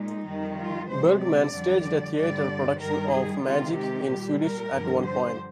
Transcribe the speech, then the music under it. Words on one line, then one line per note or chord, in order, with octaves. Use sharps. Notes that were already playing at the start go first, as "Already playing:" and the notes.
Bergman staged a theatre production of "Magic" in Swedish at one point.
Already playing: A#2 G#3 D#4
F2 D#3 G3
F4
C3 F3 G#3 C5
D5
F2 D3 G3
G2 D3 G3 D5
G2 D#3 G3 A#4
G#4
C3 D#3 G#3 F4
G4
A#2 G3
A#4
G2 D3 F3
C5